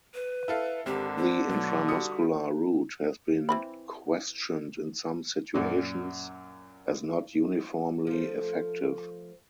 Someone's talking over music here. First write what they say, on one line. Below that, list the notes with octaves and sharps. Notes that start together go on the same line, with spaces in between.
The intramuscular route has been questioned in some situations as not uniformly effective.
B4
E4 A4 F5
G#1 D3 C4 G4
C5
B2 F#3
G3 F#4 D#6 C#7
E3 C4 B5
F#2 A#2
F3 A3